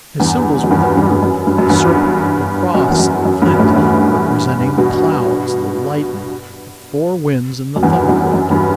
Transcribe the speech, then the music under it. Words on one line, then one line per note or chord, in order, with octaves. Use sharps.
His symbols were the bird, the serpent, the cross, and the flint, representing the clouds, the lightning, the four winds, and the thunderbolt.
E2 G2
F#2
E2 G2
E2 G2
G2
F#2
G2
F#2
E2 G2
F#2
E2
F#2
F#2
E2 G2
F#2 A2
E2 G2
G2 B2
F#2
E2 G2
F#2
F#2
E2 G2